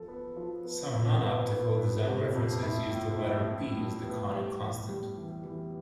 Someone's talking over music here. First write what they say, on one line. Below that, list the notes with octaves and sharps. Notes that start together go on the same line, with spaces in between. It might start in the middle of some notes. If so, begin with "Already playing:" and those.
Some non-optical design references use the letter "p" as the conic constant.
Already playing: F3 A4
B3
F3
B3
F2
B3
B3
B3
C3
F2
E4
A2
E4
A2
A2
B3
G3
A2
G3
E3
E3